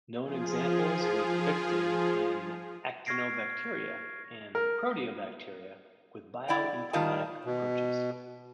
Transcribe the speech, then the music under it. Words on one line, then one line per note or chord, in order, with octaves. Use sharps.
Known Examples were predicted in Actinobacteria and Proteobacteria with bioinformatic approaches.
F3 F4 G#4
C#6 F6 G#6 A#6 C7 D7
A#4
E4 D5 D#5 G5
D#3 G3 F4 D#5 A5
B2